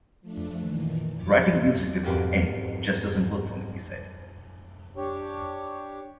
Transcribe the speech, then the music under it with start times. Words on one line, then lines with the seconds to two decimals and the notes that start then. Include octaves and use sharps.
Writing music before the end just doesn't work for me, he said.
0.21 F3 A3 D4
0.58 A#2 D#3 E3
1.15 F#2 F3 C#5 D6 A6 C#7
2.03 F2 G#2 B2 G4 A#4 B4
4.97 D4 G4 C#5